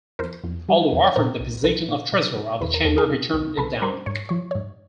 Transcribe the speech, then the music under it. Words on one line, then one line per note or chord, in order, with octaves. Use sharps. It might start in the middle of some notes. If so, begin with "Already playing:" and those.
Although offered the position of Treasurer of the Chamber he turned it down.
F2 A#4 C5
F2
G3
F2
C#5
A#2 A#4 C5
C2
C2 A4 B4
A#2
B2
B2
E2 B4
A#4
E2 A4
G#4 A#4
B2
C2
C2 A4 B4
G3 A#4 C5
G#2 C#5
F3 C#5
G#2 C#5